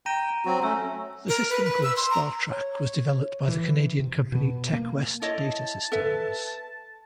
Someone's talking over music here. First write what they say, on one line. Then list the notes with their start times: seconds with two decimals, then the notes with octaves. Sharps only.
The system called Startrack was developed by the Canadian company Techwest Data Systems.
0.06 G5 A#5 A#6 D#7
0.45 F#3 C4 F#4
0.63 A3 C#4 E6
1.29 A#4
1.50 B4
1.65 B4
1.83 E6
1.96 C6
2.10 A#5
2.50 C#5
3.48 E3
4.00 C3
4.32 B2
4.73 A#3
5.22 E4 C#5 D#5 A5
5.92 A4 B4 E5